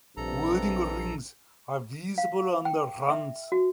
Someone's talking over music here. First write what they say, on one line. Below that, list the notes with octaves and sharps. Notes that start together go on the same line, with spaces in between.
Wedding rings are visible on their hands.
A#1 G2 C3 A4 A#5
F5
G5
E5
F#4